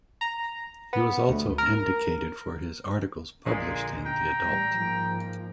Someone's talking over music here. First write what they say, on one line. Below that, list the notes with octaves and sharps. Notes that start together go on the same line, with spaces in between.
He was also indicated for his articles published in "The Adult".
A#5
B3
D2
A#4
A#1 A#2 D3 G#3
G5 A#5
A1 G3
G#2 F3 A#3